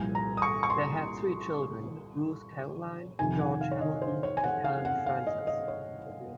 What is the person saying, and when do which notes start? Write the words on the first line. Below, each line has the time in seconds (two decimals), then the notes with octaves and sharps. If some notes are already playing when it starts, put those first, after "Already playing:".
They had three children: Ruth Caroline, George Hamilton, and Helen Frances.
Already playing: C2 A#2 F3 G#5
0.15 A#5
0.37 D#6
0.42 C#6
0.63 C#6
0.70 C6
3.19 F2 C3 D#3 G#5
3.40 F#5
3.61 F5
3.72 C#5
3.81 D#5
4.02 C5
4.23 C#5
4.37 G#5
4.44 F#5
4.64 F5
4.85 F#5
5.06 F5
5.27 D#5
5.47 D#5
5.68 C#5